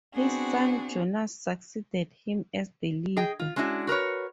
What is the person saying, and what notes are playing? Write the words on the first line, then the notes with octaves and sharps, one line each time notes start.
His son Jonas succeeded him as the leader.
B3 C4 D4 F#4 G#4
G#4 D#5 G5
F4
G#3 C#4 D4 E4 F#4
F#4 A#4 B4 C#5